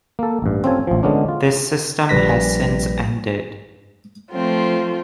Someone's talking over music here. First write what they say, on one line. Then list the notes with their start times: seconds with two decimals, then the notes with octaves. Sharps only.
This system has since ended.
0.19 A#3 A4
0.42 A1 G2
0.64 C4 C#4 F4 A4 G#5
0.87 A1 F3
1.03 D3 G#3 B3 C#4 D4
1.28 F4
2.09 A#1 G3 B4 A#6 B6
4.31 F3 A3 C4 F4